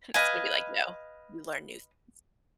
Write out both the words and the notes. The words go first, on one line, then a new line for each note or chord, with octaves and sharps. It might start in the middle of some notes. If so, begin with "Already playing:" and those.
It's gonna be like, no, you learn new things.
B4 D#5 F5 G#5